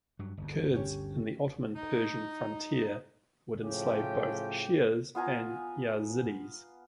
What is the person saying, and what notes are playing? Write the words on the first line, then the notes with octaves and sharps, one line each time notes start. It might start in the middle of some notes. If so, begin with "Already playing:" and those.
Kurds in the Ottoman–Persian frontier would enslave both Shias and Yazidis.
G2 F#3
G1 D2
C#4 G4 C#5
D#4
A2 C#3 F3 G4 G5
B3 F4 G#5 A#5